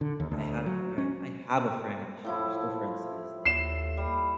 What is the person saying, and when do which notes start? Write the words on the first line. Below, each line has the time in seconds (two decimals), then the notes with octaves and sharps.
I had a friend I have a friend, actually, we're still friends to this day,
0.01 D3
0.20 D#2
0.31 D2
0.66 F#3
0.98 C#4
2.24 A2 F3 E4
3.45 D#2 C7 E7
3.97 G3